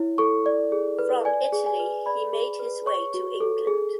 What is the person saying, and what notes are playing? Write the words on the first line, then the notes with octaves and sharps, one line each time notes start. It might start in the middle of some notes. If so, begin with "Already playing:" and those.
From Italy he made his way to England.
Already playing: E4 C#5
A4 C#6
D5
G#4
B4
D5 G#5
G#4
G#5
B4
D5 B5
G#4
B4
C#5 C#6
F#4
A4
G#4